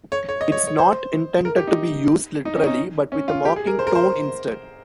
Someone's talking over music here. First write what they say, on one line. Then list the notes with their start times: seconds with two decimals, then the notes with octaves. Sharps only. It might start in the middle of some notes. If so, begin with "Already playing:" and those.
It's not intended to be used literally but with a mocking tone instead.
0.12 C#5
0.29 C#5
0.41 D#5
0.52 C#5
0.67 C#5
0.79 C5
1.45 A#4
1.57 G4
1.67 D#4
2.45 D#4
2.56 C#4
2.66 D#4
3.12 C#4
3.28 F4
3.45 G4
3.56 G#4
3.67 A#4
3.79 C5
3.87 A#4
3.95 C5